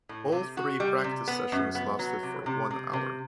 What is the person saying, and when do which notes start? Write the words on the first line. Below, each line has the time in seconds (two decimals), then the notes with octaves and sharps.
All three practice sessions lasted for one hour.
0.09 A2
0.32 C3
0.57 F#4
0.80 G3
1.04 C3
1.28 B3
1.52 F#2
1.75 B3
1.99 F#3
2.23 C3
2.46 C3
2.71 C3
2.93 C3